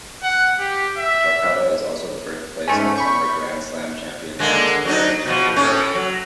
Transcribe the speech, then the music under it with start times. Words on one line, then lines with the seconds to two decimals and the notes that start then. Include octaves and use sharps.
Tarcutta is also the birthplace of former Grand Slam champion tennis player Tony Roche.
0.23 F#5
0.59 G4
0.98 E5
2.68 G#2 A3 C#4
2.96 B5 C#6 G6
4.39 D3 G#3 A#3
4.85 F#3 D4 D#4
5.25 B2 F3
5.56 A2 C#4
5.95 F#3